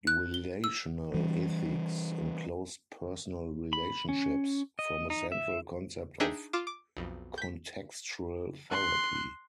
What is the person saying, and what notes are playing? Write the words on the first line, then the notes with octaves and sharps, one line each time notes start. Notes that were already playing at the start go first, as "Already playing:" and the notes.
Relational ethics in close personal relationships form a central concept of contextual therapy.
F#6
G7
E6
E3 G3 C#4
B5
C#4
D#5
D#4
E5
D4 D#4 G#4 E5 G5
F4 D6 F6 D7 E7
D6
B1 F2
G6 B6
C6 F#6